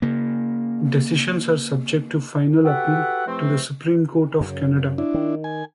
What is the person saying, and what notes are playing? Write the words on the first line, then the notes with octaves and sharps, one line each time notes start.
Decisions are subject to final appeal to the Supreme Court of Canada.
C#3 A#3
F#4 G4 A4 B4 E5 F#5
C3 E3 F3 A3 C4
F#2 C#3
D4 E4
D#3
G#5